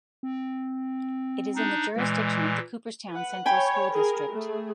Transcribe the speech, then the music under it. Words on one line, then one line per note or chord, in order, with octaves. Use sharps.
It is in the jurisdiction of the Cooperstown Central School District.
C4
D4 D#4
A#2 E3 G#3
B4 F#5
C#5 G5 G#5 B5
G#4 A#4
A3 G#4